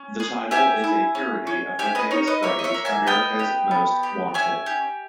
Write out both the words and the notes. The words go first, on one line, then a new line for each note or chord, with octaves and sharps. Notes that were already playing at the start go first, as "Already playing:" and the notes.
The title is a parody of the famous phrase "America's Most Wanted".
Already playing: C#4
G#4
G4 E5 G#5
E4
C#4
C#4
G4 E5 G#5
B4 D#5
D#4 A#4 C#5
B4 D#5
A#3 C#5 E5
D#5
C#5 E5
A#3
E5 G#5
B3 D#5 G5
G4
B3
G4
C#4 E5 G#5
G4